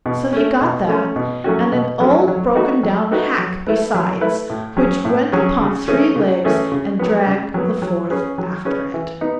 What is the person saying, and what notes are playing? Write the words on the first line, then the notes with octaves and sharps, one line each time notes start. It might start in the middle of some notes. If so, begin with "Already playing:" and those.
So he got that, and an old broken-down hack besides, which went upon three legs and dragged the fourth after it.
B2
A3 C#4
B2
A3 C#4
B2
F#3 A3 C#4 F#4
B2
F#3 A3 C#4 F#4
F#3
A3 D#4 F#4 B4
F#3
A3 D#4 F#4 B4
F#3
A3 E4 B4
F#3
A3 E4 B4
A2
F#3 C#4 G#4
A2
F#3 C#4 G#4
C#3
E3 A3 C#4 G#4
C#3
E3 A3 C#4 G#4
C#3
F#3 B3
C#3
F#3 B3
F#3
C#4 G#4 B4
F#3
C#4 G#4 B4
E3
B3 D#4